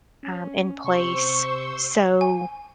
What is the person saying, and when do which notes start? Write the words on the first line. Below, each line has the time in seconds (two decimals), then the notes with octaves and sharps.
um, in place. So,
0.23 C#4
0.84 C3 C5 C6 C#6 E6
2.21 G#5